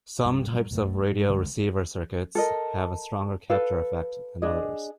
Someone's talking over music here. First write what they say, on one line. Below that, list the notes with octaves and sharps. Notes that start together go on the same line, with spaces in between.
Some types of radio receiver circuits have a stronger capture effect than others.
C2 G2 F#3 D4
G2 F#3
B1 F#2 F#3 A3
G#2
B1 B2 D3 G#3
A4 A#4 D#5
A4 B4 F5
D4 G#4 D#5